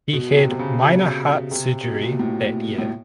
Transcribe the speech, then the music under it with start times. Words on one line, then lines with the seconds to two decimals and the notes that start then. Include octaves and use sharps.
He had minor heart surgery that year.
0.13 B2
0.37 C3
0.44 B2
0.51 C3
0.59 C#3
0.82 B2
1.51 C3
1.85 B2
2.02 A#2
2.19 A2
2.78 A2